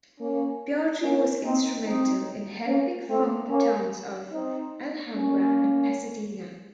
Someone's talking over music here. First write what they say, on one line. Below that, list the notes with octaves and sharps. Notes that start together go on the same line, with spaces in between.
Beaudry was instrumental in helping found the towns of Alhambra and Pasadena.
A#3 C#4
A#3 C#4
C4 D#4
C4 D#4
A#3 C#4
A3 C4
A#3 C#4
C4 D#4
A#3 C#4